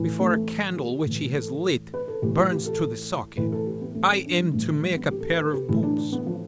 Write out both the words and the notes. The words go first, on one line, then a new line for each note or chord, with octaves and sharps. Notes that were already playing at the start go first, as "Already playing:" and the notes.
Before a candle which he has lit burns to the socket, I am to make a pair of boots.
Already playing: A2 E3
A3
G4
A2 E3
A4
B4
A4
A2 E3 G4
F4
G4
A4
A2 E3 B4
A4
G4
B3
A3
C4
D4
G3
A2 E3 A3
A3
G3
B3
G4
A4
B4
A4
G4
A2 E3 E4
D4
D4
B3
F3